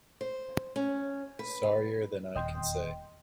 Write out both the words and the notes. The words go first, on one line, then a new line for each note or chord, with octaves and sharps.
Sorrier than I can say.
C5
C#4
B4
D#1 E2 D#5 G5 C6